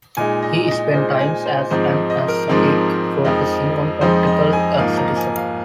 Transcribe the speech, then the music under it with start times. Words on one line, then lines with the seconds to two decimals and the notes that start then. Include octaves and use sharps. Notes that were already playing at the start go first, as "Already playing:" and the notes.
He spent time as an ascetic, focusing on practical asceticism.
0.17 A#2 G#3 D#4 G#5
0.43 D#5
0.68 D#5
0.94 A#2 G#3 D#4 C5
1.20 G#5
1.46 C5
1.71 G#2 F3 G#3 C4 D#4 C5
2.10 D#5
2.28 A#4
2.48 G#2 F3 G#3 C4 D#4
3.25 F2 F3 G#3 D#4
4.01 F2 F3 G#3 D#4 C5
4.27 D#5
4.53 G#5
4.78 G#2 F3 A#3 D#4 F5
4.98 A#5
5.17 G#5
5.36 F5